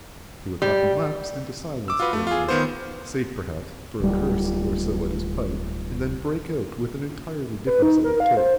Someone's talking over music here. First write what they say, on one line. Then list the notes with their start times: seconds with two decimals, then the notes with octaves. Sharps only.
He would lapse into silence for a minute, save perhaps for a curse or so at his pipe, and then break out with an entirely different set of tips.
0.62 G3
1.88 D6 E6
2.00 F4 F#4 B4
2.13 A3
2.27 F4 G#4
2.49 D#3 B3 C5
4.00 D1 G3
7.67 B4
7.82 D#4
8.04 A#4
8.20 F5
8.37 C5